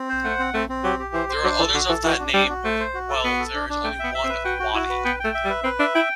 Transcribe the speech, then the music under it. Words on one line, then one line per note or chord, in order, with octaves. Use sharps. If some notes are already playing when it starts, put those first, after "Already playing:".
There are others of that name, while there is only one Watty.
Already playing: C4
C5
A3 F#5
C4
A3 C4
C4
F#3 G4
G4
E3 C5
C5
F#3 D4
E3 A4
D3 F#4
E3 A4
E3 F#4
D4
G3 D4
F#4
A3 C5
C5
F#4
A4
B3 F#4
A4
D4
D4
A3 G5
B3 E5
E5
C4
B4
F#4 G5
F#4
E4 F#4
B4
B3 G5
A3 G5
E5
G3
B4
C4 B4
D4 E5
E4 G5